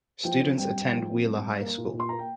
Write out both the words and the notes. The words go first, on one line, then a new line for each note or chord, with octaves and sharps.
Students attend Wheeler High School.
F3 G5
C4
G2 G5
G2
F3
C4
G2
G2
A#3
A#2
A#2
C6
A#3 A#5
G5